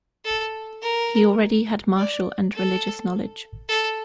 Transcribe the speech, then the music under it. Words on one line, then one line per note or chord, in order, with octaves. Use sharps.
He already had martial and religious knowledge.
A4
A#4
D5
A4
A4